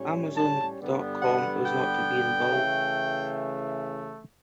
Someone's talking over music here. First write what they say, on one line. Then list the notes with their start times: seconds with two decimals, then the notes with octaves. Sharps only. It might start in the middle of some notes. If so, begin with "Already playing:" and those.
Amazon dot com was not to be involved.
Already playing: A2 G3 C#4
0.35 A5
0.78 G2 D3 G3 B3
1.21 F#5
1.64 G5
2.49 C#3 E3 A3